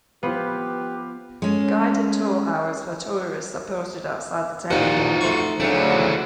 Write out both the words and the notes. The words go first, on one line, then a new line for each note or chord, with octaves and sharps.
Guided tour hours for tourists are posted outside the temple.
F3 B3 G4 B4 C5 F5
G#3 C#4
D#2 A#2 F3 D#4 F4 F#4
A3 C5 C#6
D2 C#3 F#3 A3 D4 C#5 D5
E3 F#4